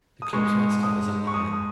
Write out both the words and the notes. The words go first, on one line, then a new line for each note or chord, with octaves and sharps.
The club's mascot is a lion.
D#6
G#2 G#3 C#6
D#6
C#6
D#6
D#6
C#6
D#6
D#6